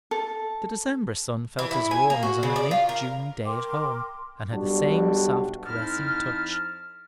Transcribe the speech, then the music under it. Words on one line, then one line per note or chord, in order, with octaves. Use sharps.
The December sun felt as warm as on a late June day at home, and had the same soft caressing touch.
A4
E3
E4
G#5
A#3
F#4
C#3
D5
F4
A#4
A#4 G5 C6 D6
B1 G3 D4 F#4
F2 F3 D#4 E4 A5 F6